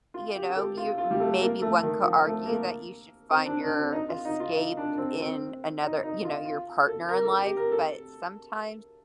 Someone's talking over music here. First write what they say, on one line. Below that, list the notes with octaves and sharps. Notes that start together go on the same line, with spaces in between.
you know, you m maybe one could argue that you should find your escape in another, you know, your partner in life, but sometimes,
F4
G4
G4
A4
F4
F4
G3
A3
A#3
A3
D#3
F3
A3
A#3
C4
D4
D4
C4
D#4
F4
D#4
F4
D#4
D4
C4
C4
D#4
D#4
F4
F4
A4
A#4
A4
G4
A#4
A4